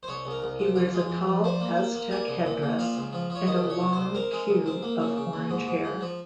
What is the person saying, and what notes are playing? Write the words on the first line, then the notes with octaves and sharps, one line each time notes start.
He wears a tall Aztec headdress and a long queue of orange hair.
C5
C2 C#5
C2
A#4
C2
C3
F2 F4
G#3
F2
F2
G3 C5
A#3
A#3
A#3
G3 G#5
C2
A#2
A#2
F3 F5
C#2
F3
F3
C#5
D#3 D#5
C2
C#5
C3
C5
C2
C4 A#4
G#3
C#2
C4
A#3
C#3
C#3
D#2
G#2
G#2
G#2
F3